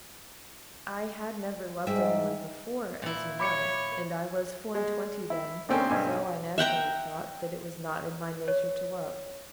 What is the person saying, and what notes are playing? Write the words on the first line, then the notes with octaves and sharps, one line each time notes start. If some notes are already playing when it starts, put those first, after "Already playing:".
I had never loved any one before, as you know, and I was four-and-twenty then--so I naturally thought that it was not in my nature to love.
G#2 G3 E5
A#2 E4
C#5 B5 D6 C#7
G#3
E4
D2 A3 C4 C#4 A#4
B1 G2 G#5
E5 F#5 G5 A#5
C#5